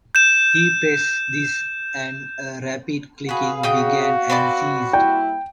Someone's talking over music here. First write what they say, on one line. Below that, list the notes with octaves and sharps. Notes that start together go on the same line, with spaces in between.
He pressed this and a rapid clicking began and ceased.
G6 E7
F#4 G#4 B4 F5
C#3 F#4 D#5 G5
C4 B4 D5
G3 A#3 E4 G5